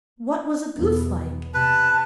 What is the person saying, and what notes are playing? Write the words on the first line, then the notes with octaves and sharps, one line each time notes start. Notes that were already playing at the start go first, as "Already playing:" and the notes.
'What was a goose like?'
B1 E2 B3
C3 B4 A5